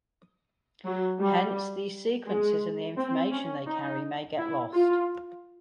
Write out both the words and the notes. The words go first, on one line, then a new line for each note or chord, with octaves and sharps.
Hence, these sequences and the information they carry may get lost.
F#3
G3
G#3
C4
C#4
D#4
E4
F4